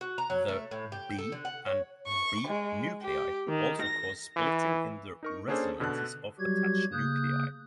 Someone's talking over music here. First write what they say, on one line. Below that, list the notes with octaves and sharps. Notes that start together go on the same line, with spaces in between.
The B and B nuclei also cause splitting in the resonances of attached nuclei.
F#4
A#5
F#3
A3
A2
G4
A4
D3
F#5
C#5
C#6
G#3
G4
D#3
A#6
E3
D#4 A#4 C#6
A#3 C#4 D4 G#4 A4 C5
B2 D3 A4 F#6
F#3 G3 F#4 G4 G#6
C#3 A#3 D#6 F#6 G6